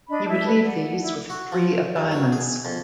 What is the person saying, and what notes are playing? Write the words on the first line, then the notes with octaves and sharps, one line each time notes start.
He would leave these with the three of diamonds.
D4 D#5 B5
E4 E5 A5
B4
D5 F#5
E4
F#4
F3
G2
F#3
G#4
F2